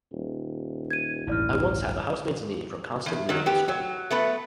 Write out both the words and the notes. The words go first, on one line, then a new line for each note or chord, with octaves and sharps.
I once had the housemaid's knee from constant kneeling and scrubbing.
D#1
G#6 D#7
A1 D2 G2 E4 D5 F6
E2
D#3 F#3
B3 G4
F#3
A3 B3 B4